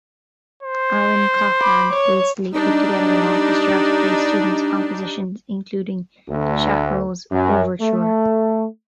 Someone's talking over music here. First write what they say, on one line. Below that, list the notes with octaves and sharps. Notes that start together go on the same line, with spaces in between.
Aaron Copland hastily put together an orchestra to play student compositions, including Shapero's Overture.
C5
B5 D6
C#5
G3 D4 D#4
D2
F#2
A3